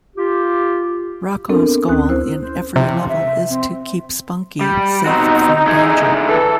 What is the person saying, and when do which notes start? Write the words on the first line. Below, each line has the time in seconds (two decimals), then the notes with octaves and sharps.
Rocko's goal in every level is to keep Spunky safe from danger.
0.17 F4 G4
1.49 B3 C4 D4 A4 A#4
1.88 D2 C4 C#4 D#6 F#6
2.09 E4 C5
2.40 C5
2.76 C3 E4
2.92 F3
3.08 E5
3.49 C4
4.61 G3
5.06 B2 C4 D#4 F#4
5.67 D3 E4 G#4
6.27 E3 A4